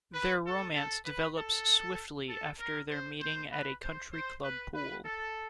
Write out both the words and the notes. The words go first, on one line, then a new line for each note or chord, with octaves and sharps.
Their romance develops swiftly after their meeting at a country-club pool.
B4
A4
A4
B4
A4
A4
A#4
C5
C5
B4
C5
C5
B4
B4
A4